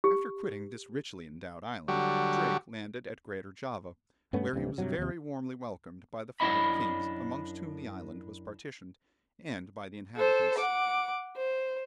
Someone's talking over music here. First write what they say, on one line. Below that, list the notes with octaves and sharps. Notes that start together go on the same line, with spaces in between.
After quitting this richly endowed island, Drake landed at Greater Java, where he was very warmly welcomed by the five kings amongst whom the island was partitioned, and by the inhabitants.
G4
D3 F#3 G3 F#4 G4
G2 A3 B3 C#4
D1 A1 G2 C3
G2 C3 F#3
D#2 C3
F#2 D4 E4 D#5 E5 B5
A4 C5
F#5 D6
C5